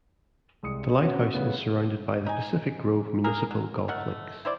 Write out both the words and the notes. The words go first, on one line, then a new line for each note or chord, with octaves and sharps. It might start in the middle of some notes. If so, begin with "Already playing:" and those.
The lighthouse is surrounded by the Pacific Grove Municipal Golf Links.
C2 G#3 D#6 C#7
B3 C#4 F#4
C#3 A3 B3
D#4 G#5
A#3 G#4 A#4
F#3
D#3 A3 F#5
E4 C5 D5